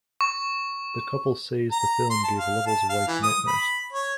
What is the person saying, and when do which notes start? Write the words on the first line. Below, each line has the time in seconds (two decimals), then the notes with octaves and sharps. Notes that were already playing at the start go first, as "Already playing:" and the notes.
The couple says the film gave Lovell's wife nightmares.
0.21 C#6
1.71 A#5
2.10 C6
2.24 A5
2.39 F5
2.67 A5
2.90 F5
3.08 E3
3.23 D#6
3.48 B5
3.93 C#5